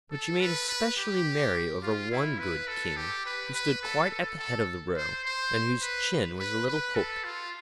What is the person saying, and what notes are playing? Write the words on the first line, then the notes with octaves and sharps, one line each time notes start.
But she made specially merry over one good King, who stood quite at the head of the row, and whose chin was a little hooked.
A4
B4
B4
G4
F4
E4
B4
A4
G4
B4
B4
A4
A4
A4
C5
C5
B4
B4
B4
A4
F4